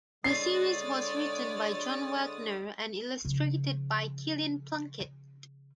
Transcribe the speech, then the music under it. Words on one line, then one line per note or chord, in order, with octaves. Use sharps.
The series was written by John Wagner and illustrated by Kilian Plunkett.
D3 G#3 C#5 D5 D#6 A6 C7
C#3 F3